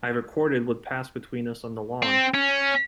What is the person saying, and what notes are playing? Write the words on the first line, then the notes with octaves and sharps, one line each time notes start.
I recorded what passed between us on the lawn.
C4
C#4